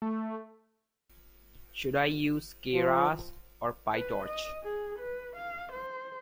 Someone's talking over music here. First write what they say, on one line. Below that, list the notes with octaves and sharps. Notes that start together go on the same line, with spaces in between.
Should I use Keras or Pytorch?
A3
F3
B4
D#5
G#4
B4
F5
C5